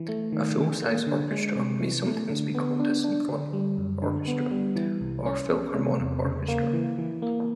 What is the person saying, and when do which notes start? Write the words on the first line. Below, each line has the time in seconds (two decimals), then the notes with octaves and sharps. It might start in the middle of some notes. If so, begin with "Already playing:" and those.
A full-size orchestra may sometimes be called a "symphony orchestra" or "philharmonic orchestra".
Already playing: E3
0.08 A3
0.32 D#3
0.58 D#3
0.82 A#3
1.07 D3
1.31 G#3
1.56 C3
1.80 E3
2.06 A3
2.30 D3
2.55 B3
2.79 D4
3.04 D4
3.28 D3
3.53 G3
3.78 F#2
4.02 D3
4.27 B3
4.51 G3
4.76 E3
5.01 C2
5.26 C#4
5.50 C#4
5.74 C3
6.00 E2
6.24 C#3
6.48 A#3
6.73 E3
6.98 E3
7.22 A#3